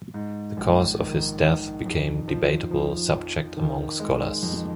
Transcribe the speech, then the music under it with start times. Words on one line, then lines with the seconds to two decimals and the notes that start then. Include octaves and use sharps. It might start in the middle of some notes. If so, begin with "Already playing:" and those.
The cause of his death became debatable subject among scholars.
0.14 G#2
0.57 A#1
1.00 D#3
1.43 D#3
1.85 F2
2.28 F3
2.71 F3
3.14 F2
3.57 D#3
4.00 G#3
4.43 F2